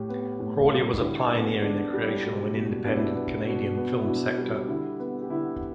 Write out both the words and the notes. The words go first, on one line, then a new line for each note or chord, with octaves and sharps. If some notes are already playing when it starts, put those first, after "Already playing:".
Crawley was a pioneer in the creation of an independent Canadian film sector.
Already playing: A2 G4
B3
A2
G3
D4
D3 E4
B3
D3 D4
G3
B2
B2
B3 D4
E4
D4
B3
B2
B3
E4
B2 D4
G3
D3 E4
B3
G4
D3 E4